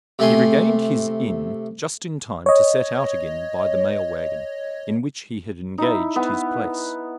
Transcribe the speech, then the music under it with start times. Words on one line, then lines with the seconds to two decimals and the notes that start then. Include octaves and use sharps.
He regained his inn just in time to set out again by the mail-wagon, in which he had engaged his place.
0.19 C3 A3 G#5 C6
2.46 C#5 D#5
5.78 D#4 E4
6.16 B3